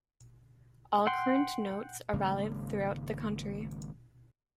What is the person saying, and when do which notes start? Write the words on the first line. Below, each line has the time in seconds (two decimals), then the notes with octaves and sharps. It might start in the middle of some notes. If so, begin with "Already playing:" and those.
All current notes are valid throughout the country.
1.07 F#5 G5 C6
2.13 G#1 C#3 G#3 A#3